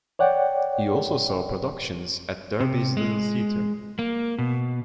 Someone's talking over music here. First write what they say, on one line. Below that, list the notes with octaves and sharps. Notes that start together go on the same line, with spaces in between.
He also saw productions at Derby's Little Theatre.
C#5 D5 F#5 G5
C3
G#3
A#3
B2